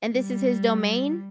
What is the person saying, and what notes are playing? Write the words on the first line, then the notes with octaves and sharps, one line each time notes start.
and this is his domain?
G3